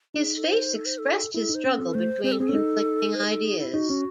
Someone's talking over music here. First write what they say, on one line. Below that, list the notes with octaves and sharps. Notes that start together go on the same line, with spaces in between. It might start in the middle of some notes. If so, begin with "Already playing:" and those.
His face expressed his struggle between conflicting ideas.
D#4 G#4
A4
C5
A4
C5
A4
E4 A4
D#4
C5
C#4
C4 A4
A3 C5
C4 C5
A4
C4 G#4
C#4 A4
D#4
C5
G#4
A4
G#4
E4
D#4 F#4
C#4